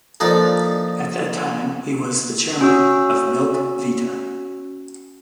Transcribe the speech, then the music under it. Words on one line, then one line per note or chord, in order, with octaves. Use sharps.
At that time he was the chairman of Milk Vita.
A#2 F3 D4 D#4 A4
C#4 F#4 E6